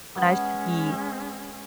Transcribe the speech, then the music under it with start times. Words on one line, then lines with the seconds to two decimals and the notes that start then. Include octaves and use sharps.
when I should be,
0.16 G#3 B3 C#4